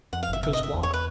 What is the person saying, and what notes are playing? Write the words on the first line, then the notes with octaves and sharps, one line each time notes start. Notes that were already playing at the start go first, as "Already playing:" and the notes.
'Because why?
F2 F#5
F5
G1 E5
C3 E5
D#5
G1 E5
E2
C#5
B4